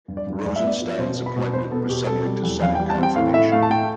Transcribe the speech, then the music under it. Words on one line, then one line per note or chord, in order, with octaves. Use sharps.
Rosenstein's appointment was subject to Senate confirmation.
G2
D5
G2
G2 D5
E5
B3 D5
F3
B2 C5
B3
B5
B2
B2 C5
B3 A4
B2 G4
C4 A4
G3
E2
E2 F5
G5
G3
A5
C4 G5
A2 F5
A2 E5
A3 F5
A5
A3 G5